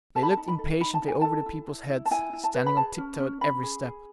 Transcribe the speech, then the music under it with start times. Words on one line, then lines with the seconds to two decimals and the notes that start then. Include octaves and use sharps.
They looked impatiently over the people's heads, standing on tip-toe at every step.
0.15 A4 A5
0.23 B5
0.31 A5
0.37 D#4
0.48 B5
0.59 A4
0.80 D#4 B5
0.94 A5
1.02 D#4
1.08 G#5
1.21 A4 A5
1.46 E4
1.68 E4
1.89 E4
2.05 A5
2.11 E4 G#5
2.33 E4
2.44 A5
2.54 B4
2.66 B5
2.77 G#4 A5
2.98 C#4
3.20 C#4
3.41 C#4 B5
3.63 G#4
3.85 G#4